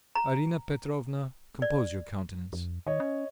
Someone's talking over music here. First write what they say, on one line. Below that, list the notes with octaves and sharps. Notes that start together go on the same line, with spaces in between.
Arina Petrovna, compose your countenance.
A#5
D5
F2
D#3 C#5 D#5
C#4